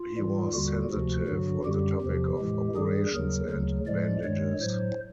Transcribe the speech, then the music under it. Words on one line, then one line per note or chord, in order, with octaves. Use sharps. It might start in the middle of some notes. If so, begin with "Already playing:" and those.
He was sensitive on the topic of operations and bandages.
Already playing: F4
G#2 E3 G3
D#2 D3 G3 F#4
D2 C3 F3
G2 D3 F#3
F#2 D3 G3 G4
E2 C3 F3
A2 E3 G#3
G2 D#3 G3 G#4
D#2 C#3 F#3 A#4
D2 C#3 F#3
A2 F3 G#3 D5
G2 D#3 G#3 C#5
A2 F#3 C5